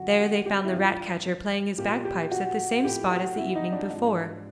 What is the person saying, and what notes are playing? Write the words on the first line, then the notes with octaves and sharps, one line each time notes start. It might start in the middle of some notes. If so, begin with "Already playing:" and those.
There they found the ratcatcher playing his bagpipes at the same spot as the evening before.
Already playing: F#2 D3 F3 F#4
G4
G4
E4
G2 E3 F4
A#2 F3 G4
G4
F#4
A2 F3 G4
F#4
E4
D#4
D4
G#2 F3